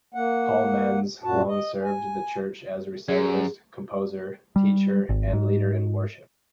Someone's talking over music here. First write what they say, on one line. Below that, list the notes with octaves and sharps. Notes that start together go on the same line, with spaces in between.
Paul Manz long served the church as recitalist, composer, teacher and leader in worship.
A#3 F#5
F#2 A#2 F#4 A5
D#5
G#5
F#2 G#4
G3
G#1
G#2